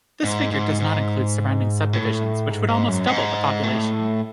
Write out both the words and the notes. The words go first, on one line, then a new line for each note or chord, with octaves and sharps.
This figure does not include surrounding subdivisions which would almost double the population.
G#2
G#2
G#2
A2
G#2
G#2
F#2
G#2
A2